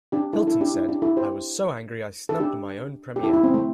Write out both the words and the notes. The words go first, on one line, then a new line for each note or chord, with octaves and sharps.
Hilton said, I was so angry I snubbed my own premiere.
D4 G4
E4 A4
E4 A4
D4 G4
E4
D4 G4
E4 A4
G4 C5
A4
D4 G4
G4
E4 A4
E4
C4
A3